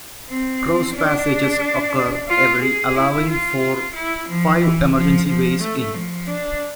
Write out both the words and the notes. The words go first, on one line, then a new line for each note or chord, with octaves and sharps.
Cross-passages occur every allowing for five emergency ways in.
C4
D4
F4
G#4
E4
F4
E4
F3
E3
F3
F3
A3
F3
D4